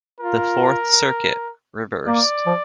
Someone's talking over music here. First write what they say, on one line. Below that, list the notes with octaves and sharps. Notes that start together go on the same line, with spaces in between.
The Fourth Circuit reversed.
F4 A#4
A#3 D5
F3